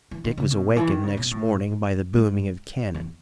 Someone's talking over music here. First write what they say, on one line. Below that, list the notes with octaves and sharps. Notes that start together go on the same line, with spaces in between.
Dick was awakened next morning by the booming of cannon.
E3
D#3
C#3
B2
E3
D#3
C#3
B2
A2
G#2
E2